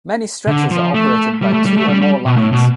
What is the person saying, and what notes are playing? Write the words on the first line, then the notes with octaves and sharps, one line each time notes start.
Many stretches are operated by two or more lines.
D3
F3
A3
G3
A3
G3
A3
G3
G3
B2
A2
B2